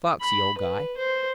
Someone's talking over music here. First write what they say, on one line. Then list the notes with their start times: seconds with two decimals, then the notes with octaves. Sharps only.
Foxy old guy.
0.21 B5
0.58 B4
0.97 C5